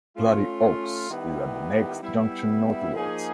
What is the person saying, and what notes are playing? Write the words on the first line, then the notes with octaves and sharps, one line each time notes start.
Bloody Oaks is at the next junction northwards.
A3 C#4 F4
D#3 G3 B3 E4 G4
G3 B3 E4
F3 A#3 D#4 G#4